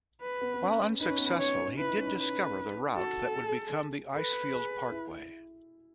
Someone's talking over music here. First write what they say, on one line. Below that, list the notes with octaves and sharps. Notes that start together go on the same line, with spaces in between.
While unsuccessful, he did discover the route that would become the Icefield Parkway.
B4
B3
B3
C#4
D#4 B4
C#4
B3
C#4
C#5
E4 B4
D#4
C#4
D#4
B4
F#4 A4
G#4
A4 B4
G#4
E4